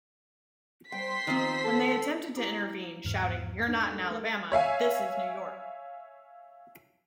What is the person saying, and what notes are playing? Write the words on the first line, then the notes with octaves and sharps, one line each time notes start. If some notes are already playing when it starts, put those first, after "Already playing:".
When they attempted to intervene, shouting, You're not in Alabama...this is New York!
G3 C5 G5 C6 B6
D#3 F3 C4 D#4
A4
E4 G4 A#5 D6
G1 E2 G#2 F6
D4 D#4 A4 A#4
A3 A#4
C#5 E5 F5 G#5